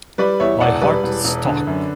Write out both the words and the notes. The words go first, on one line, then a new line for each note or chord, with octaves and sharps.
My heart stuck.
G3 B4 D5
E2 C#5 E5
E1 D5 F#5
G3 B4 D5
E1
E1
D3
F#2